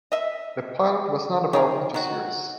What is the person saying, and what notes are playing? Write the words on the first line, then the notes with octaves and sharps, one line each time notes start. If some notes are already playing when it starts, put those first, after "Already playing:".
The pilot was not developed into a series.
D#5 E5
D#3 G#4 A#4
D#3 F#4